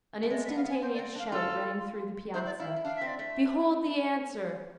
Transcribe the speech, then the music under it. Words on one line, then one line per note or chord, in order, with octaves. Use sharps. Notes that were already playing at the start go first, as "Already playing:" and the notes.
An instantaneous shout rang through the Piazza, "Behold the answer!"
A3
G#3 D5
E5
B3
F5
B3
G#5
C4 C5
D5
C4
D4 F5
F4 A4
E4 C5
D5
E4 F5
E4
D4 F5
E5
C4
D5
A3 E5